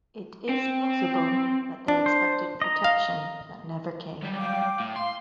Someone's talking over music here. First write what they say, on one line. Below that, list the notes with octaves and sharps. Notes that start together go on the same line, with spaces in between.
It is possible that they expected protection that never came.
C4
D4
C5
D#5 A#5
F5
F#3 G3
F5 G5 D6
A2
F5 C6